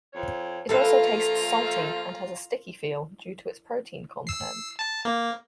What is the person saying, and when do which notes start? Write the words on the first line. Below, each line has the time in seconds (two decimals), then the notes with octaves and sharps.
It also tastes salty, and has a "sticky" feel due its protein content.
0.13 F2 C#5
0.69 F3 A3 A#3 F4 A4 B4 F5 A#5
4.27 E6 C7
4.79 A5
5.05 A#3